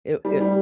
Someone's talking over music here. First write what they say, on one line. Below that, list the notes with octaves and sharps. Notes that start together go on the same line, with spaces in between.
It it
G3
G3